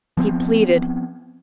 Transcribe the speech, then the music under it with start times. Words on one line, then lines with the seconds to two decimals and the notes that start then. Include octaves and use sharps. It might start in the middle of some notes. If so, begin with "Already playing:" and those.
He pleaded.
0.17 F3 B3 C4